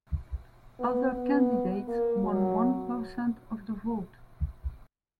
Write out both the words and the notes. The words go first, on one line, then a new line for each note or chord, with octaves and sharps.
Other candidates won one percent of the vote.
B3
B3
A#3
F#3